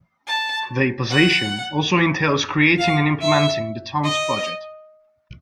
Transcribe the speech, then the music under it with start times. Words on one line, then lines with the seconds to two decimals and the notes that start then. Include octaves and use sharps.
The position also entails creating and implementing the town's budget.
0.28 A5
1.11 F#5
2.78 F5
3.21 E5
4.04 D#5